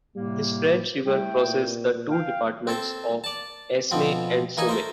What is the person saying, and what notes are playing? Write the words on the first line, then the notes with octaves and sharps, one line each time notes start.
This French river crosses the two departments of Aisne and Somme.
A2 C3 G3 A#3
G3 A3 E4 G5
A#2
F5 G5
C4 A4 C5
D5 A5
B2 F3 C4
E3 A#3 D#4 G#5
A3 A#4 C5